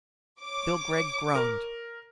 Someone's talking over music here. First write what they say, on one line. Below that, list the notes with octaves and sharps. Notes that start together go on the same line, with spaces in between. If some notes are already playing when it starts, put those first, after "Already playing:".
Bill Gregg groaned.
C#5 D6
A#4